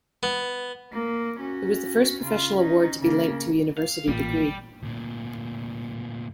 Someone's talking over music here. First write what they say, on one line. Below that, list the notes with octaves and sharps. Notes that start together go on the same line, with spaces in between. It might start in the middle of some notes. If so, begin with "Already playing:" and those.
It was the first professional award to be linked to a university degree.
B3
A#3
C#4 F#4
C#3 F4
C#4 D#4
C#3 A#3
F5
A1 A#2 G3
D2 A#2